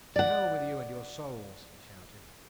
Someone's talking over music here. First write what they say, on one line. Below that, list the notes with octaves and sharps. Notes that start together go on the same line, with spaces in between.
"To hell with you and your souls!" he shouted.
D5 F#5